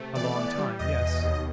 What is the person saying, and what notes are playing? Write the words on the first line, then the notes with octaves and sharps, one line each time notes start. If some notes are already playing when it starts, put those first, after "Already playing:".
"A long time--yes."
Already playing: C3 A3
E3 D5
B3
G3
E2 D#5
B2
D#2